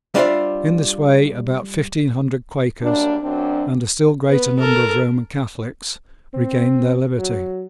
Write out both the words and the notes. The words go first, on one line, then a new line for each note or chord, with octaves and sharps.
In this way about fifteen hundred Quakers, and a still greater number of Roman Catholics, regained their liberty.
G3 D4 F4 C5 E5
F#2 G3 A#3 D4
F#2 F#3 C4 D4
B3 B4
A4 A#4
C4
F#3